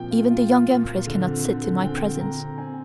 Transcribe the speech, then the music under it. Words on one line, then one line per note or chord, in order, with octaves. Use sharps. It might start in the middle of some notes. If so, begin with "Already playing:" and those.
Even the Young Empress cannot sit in my presence.
Already playing: A#2 F3 C4 G5
F4
F4
F4
A#2
A#2
D3
C4
D3
D3
C4 G5
D3
D3 A#5
C4
C4 G#5